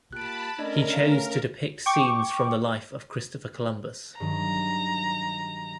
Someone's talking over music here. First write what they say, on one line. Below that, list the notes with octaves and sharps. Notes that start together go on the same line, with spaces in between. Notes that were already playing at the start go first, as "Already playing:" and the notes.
He chose to depict scenes from the life of Christopher Columbus.
A#3 F4 G4 A5 B5 F#6 D7
A3 C#4 D4 A#4 D5 D#5
F5
G5 C#6 D6
G2 D#3 F#3 A#5